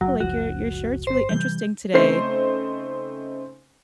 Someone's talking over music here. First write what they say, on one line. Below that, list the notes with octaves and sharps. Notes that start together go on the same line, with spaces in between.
like your your shirt's really interesting today."
F#1 F#3
F#1 C#2 F3 F#4
G1 C5
C3 E3 G3 G6
C#3 A3 C4 D#4 C5 C7